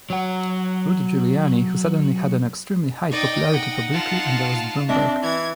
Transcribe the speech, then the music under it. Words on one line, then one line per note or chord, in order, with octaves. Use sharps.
Rudy Giuliani, who suddenly had an extremely high popularity publicly endorsed Bloomberg.
F#3 F#5
D#4 D5 D#5 G5
D#4 F#5
F4 A5
C4 D4 D#5 E5
E3 G#6